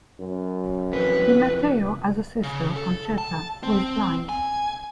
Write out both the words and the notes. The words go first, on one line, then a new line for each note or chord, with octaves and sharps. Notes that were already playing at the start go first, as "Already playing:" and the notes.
Di Matteo has a sister, Concetta, who is blind.
F#2
F2 E3 B4
C#3
A4
A5
C4 C5
G#5